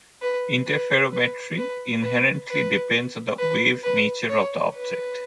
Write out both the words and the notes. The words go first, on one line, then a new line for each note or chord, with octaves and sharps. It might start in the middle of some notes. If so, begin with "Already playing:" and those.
Interferometry inherently depends on the wave nature of the object.
B4
B4
B4
B4
B4
B4
B4
B4
C#5
B4